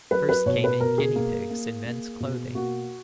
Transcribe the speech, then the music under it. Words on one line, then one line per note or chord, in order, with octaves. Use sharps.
First came in guinea pigs in men's clothing.
F#3 B4
B4
B2 C#5
B4
B2 A#4
G#4
A#3
A#3
A#3
B2
A#3 F#4